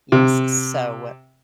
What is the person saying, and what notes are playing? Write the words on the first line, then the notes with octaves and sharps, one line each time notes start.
Yes, so,
C3